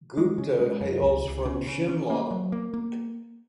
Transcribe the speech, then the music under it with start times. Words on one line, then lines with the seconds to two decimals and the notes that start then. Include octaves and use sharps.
Gupta hails from Shimla.
0.17 G#3
0.38 C#3
0.60 G#3
0.81 F#2
1.02 C#2
1.25 C#2
1.46 C#3
1.67 C#3
1.89 C#4
2.10 A#3
2.31 F#3
2.52 A#3
2.74 A#3